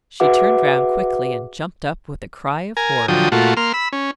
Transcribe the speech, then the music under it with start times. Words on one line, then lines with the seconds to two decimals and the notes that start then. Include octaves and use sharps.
She turned round quickly and jumped up with a cry of horror.
0.20 F#4 G#4 B4 E5 F#5 D6
2.77 A#4 G#5
3.08 D3 F3 F#3 G5 D#6
3.32 A#2 A3 F4 F#4
3.57 A#3 C6 F6
3.74 B5 E6
3.92 C#4